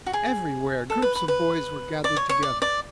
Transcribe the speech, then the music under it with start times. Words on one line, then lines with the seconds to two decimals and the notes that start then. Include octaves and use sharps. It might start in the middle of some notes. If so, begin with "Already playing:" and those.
Everywhere groups of boys were gathered together.
0.06 F#4
0.13 G#4
0.90 A4
1.02 B4
1.15 B4
1.28 B4
2.04 D5
2.16 C#5
2.29 C#5
2.43 D5
2.62 D5